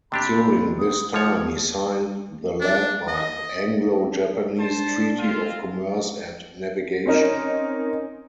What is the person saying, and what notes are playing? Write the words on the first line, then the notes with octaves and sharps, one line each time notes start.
During this time he signed the landmark Anglo-Japanese Treaty of Commerce and Navigation.
C3 D4 G4 B5
D#6
F3 C#5
D4
D#5
D4 C5 A5
C4 F4
C4 C#4 D#4 A#4